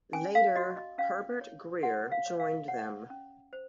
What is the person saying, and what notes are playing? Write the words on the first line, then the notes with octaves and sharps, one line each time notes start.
Later Herbert Grier joined them.
C#4 G#5
F5
F#4 D#5
D#5
C#4 F5
C#5
F#4 F#5
F5
C#5
F5
C#5 F#5
C#4
C5